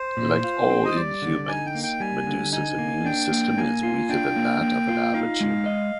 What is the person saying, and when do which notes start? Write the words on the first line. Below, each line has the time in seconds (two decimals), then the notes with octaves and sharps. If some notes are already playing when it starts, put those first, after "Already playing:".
Like all Inhumans, Medusa's immune system is weaker than that of an average human.
Already playing: C5
0.17 A#2
0.44 F4
0.70 C4
0.85 D#5
0.96 G3 D5
1.22 D3
1.48 D#4 G#5
1.66 G5
1.75 A#3
1.83 G5
2.00 G3 G#5
2.27 D3
2.53 D#4 G#5
2.78 A#3
3.05 D4 G5
3.32 A#3
3.58 A#3 G#5
3.83 F4
4.09 D4 G5
4.36 A#3
4.61 A#3
4.88 F4
5.14 D#4 F5
5.40 G#3
5.66 D#5